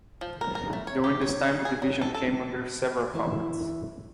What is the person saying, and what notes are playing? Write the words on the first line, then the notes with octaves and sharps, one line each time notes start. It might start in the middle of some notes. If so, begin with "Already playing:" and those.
During this time the division came under several commands.
F3
A#4
A#4
A3
C#5
G4
C#5
F#3
G#4
F#3
A4
A4
E3 E4 E5